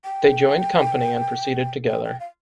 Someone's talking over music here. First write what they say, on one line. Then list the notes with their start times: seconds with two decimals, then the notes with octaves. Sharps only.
They joined company and proceeded together.
0.04 G5
1.89 G5
2.05 G5
2.20 F5